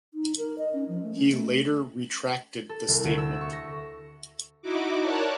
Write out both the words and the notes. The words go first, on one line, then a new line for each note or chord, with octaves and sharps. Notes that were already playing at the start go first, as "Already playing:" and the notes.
He later retracted the statement.
D#4
A#4
D#5
C#4
F3
A3
C#4
A3
A4
C2
D2
E6
C#6
A#6
D#4 E4 F#4 D6
A#4 C#5 D5 A5 F#6